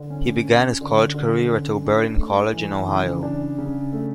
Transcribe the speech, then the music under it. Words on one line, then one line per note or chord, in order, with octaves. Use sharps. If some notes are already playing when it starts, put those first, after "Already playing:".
He began his college career at Oberlin College in Ohio.
Already playing: D3
C#4
C#4
D3
D3
C#4
D4
A3
E3
C#3
D4
C#3
A3